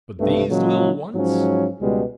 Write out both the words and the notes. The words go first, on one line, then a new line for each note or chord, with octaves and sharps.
But these little ones!
B1 G2 C3 A3
A#2 C#3 F#3 G#3
G#2 F3 F#3 C#4
C#2 B2 G3 G#3